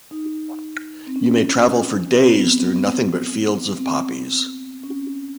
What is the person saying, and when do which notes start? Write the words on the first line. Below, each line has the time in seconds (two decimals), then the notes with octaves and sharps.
You may travel for days through nothing but fields of poppies.
0.11 D#4
1.07 C4
1.16 C#4
2.21 C4
2.35 B3
2.47 C4
2.61 C4
2.73 B3
3.78 C4
4.83 C#4